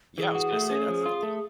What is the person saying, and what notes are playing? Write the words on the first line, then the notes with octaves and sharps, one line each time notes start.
Yeah, I was gonna say that's not a little thing.
E3 G#4
F#4
A3
C#4
F3
F4
A3